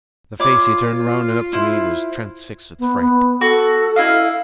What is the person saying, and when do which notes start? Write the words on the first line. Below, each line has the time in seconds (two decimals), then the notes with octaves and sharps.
The face he turned round and up to me was transfixed with fright.
0.40 F4 C#5 B5 D6
1.53 E4 C5
2.79 B3
3.00 B3
3.41 F#4 A4
3.96 E4 D#5 F5